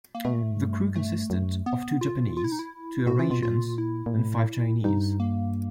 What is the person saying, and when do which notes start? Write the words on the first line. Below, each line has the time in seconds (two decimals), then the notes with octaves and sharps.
The crew consisted of two Japanese, two Eurasians, and five Chinese.
0.15 A#3
0.24 B2 A3
0.33 A#2
0.43 A2
0.51 G#2
0.60 G2
0.95 A3
1.30 F#2
1.66 B3
2.01 F4
2.37 F4
2.44 E4
2.52 D#4
2.59 E4
3.07 B2 F#4
3.19 E3 F4
3.30 B2 F4
3.43 A#2 F4
3.78 E4
4.06 A#2
4.13 A2
4.84 G2 D#4
5.20 A#3